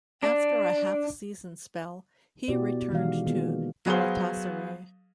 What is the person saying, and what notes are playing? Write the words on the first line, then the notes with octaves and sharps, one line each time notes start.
After a half season spell, he returned to Galatasaray.
D4
B2 B3 E4 F#4 G4 D5
B2 D#3 E3 G#3 F#4 F5
D#3 A#3 B3 F4 G#4
F#3 B3 G#4 C5 F5 G7